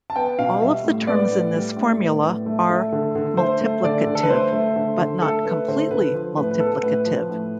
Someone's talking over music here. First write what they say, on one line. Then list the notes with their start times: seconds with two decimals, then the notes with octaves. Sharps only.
All of the terms in this formula are multiplicative, but not completely multiplicative.
0.10 A5
0.16 B3 G5
0.39 B2 F5
0.62 G3 E5
0.84 A2
1.07 B3 D5
1.31 A2
1.54 G3
1.77 A2
2.00 B3
2.23 A2
2.46 A3
2.69 A3
2.92 D3
3.15 D3
3.37 A3 C5
3.61 A3
3.84 D3 D5
4.07 D3
4.15 A4
4.23 B4
4.30 A3 C5
4.53 A3
4.76 D3
4.99 D3
5.22 A3 A4
5.45 A3 B4
5.68 D3 C5
5.91 D3 B4
6.14 F3
6.37 A2 B4
6.51 B4
6.60 B3 A4
6.83 A2 B4
7.06 F3
7.29 A2